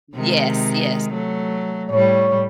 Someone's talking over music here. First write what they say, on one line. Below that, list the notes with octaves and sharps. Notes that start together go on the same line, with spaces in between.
Yes, yes.
C3 D#3 G#3
F#3 A3
A2 G3 C#5